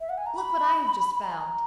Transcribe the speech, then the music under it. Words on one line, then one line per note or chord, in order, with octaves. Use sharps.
Look what I have just found!
E5
F#5
G#5
A#5
B5
B5
A#5
G#5
A#5